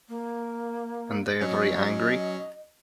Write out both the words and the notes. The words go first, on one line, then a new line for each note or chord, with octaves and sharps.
And they are very angry?
A#3
F#3 C#4 D#5